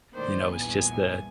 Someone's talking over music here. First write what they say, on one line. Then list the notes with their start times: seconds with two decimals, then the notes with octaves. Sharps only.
you know, it's just the,
0.15 A2 D#3 A#3 C5 D5
0.54 A#1 E2 G2 B3 G#5